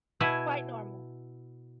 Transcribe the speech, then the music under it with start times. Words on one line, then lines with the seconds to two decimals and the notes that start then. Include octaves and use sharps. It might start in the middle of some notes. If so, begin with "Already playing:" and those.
Quite normal.
0.20 B2 E4 G#5